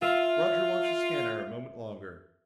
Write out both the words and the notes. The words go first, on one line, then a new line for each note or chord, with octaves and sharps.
Roger watched the scanner a moment longer.
F4 E5